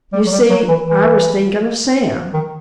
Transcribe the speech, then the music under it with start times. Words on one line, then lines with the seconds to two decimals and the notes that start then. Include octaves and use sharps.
You see, I was thinking of Sam.
0.13 G3
0.26 F#3
0.31 G3
0.50 F#3
0.68 E3
0.87 E3
2.33 D#3